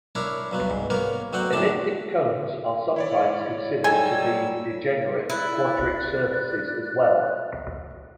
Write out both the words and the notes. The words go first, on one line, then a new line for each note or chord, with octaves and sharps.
Elliptic cones are sometimes considered to be degenerate quadric surfaces as well.
D4 E4 A#4 C#5
G2 F#3 B3
G#2
A#3 B3 A#4 C#5
D2 F#3 C4 F#4 F#5 G5
A#1 F#2 A2 D3 D4 A5
E4 C#5 D5
F#3 G3 D#4 A4 G#5 E6
E4 D5 F#6